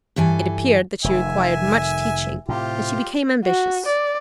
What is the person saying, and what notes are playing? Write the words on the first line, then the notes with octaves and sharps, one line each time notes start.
It appeared that she required much teaching, and she became ambitious.
G2 E3 A4 G#5
F1 D#3 E5 G#5
A2 C3 F4 G4
F#4
D5